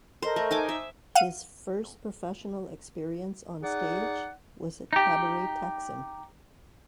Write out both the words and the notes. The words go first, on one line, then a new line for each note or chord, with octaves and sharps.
His first professional experience on stage was at Cabaret Taksim.
A4 A#4 C5 D#5
A3
D#4 G#5 D6
E5
F5 F#5 D#7
D#4 G#4 D5 F#5
D#4 G4